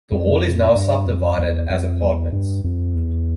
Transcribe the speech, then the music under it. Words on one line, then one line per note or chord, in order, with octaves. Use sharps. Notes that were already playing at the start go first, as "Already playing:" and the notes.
The hall is now subdivided as apartments.
F2
G2
F2
E2
F2
E2
G2
F2
E2